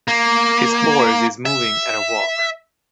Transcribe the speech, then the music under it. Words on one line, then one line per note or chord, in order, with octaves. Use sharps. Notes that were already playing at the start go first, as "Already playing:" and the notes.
His horse is moving at a walk.
A#3
E5